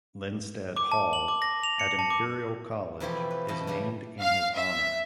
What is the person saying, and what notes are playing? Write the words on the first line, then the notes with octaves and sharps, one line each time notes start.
"Linstead Hall" at Imperial College is named in his honour.
D6
A5
F#7
D6
A#6
F7
C#7
A5
D6
F2 B2 E3 F3 E4 G4
B4
B2 E3 D#5 A5 B5
C#3 G3 B3 G4
F5
E5